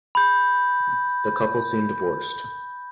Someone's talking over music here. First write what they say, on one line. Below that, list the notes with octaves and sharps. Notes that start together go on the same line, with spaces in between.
The couple soon divorced.
B5 G6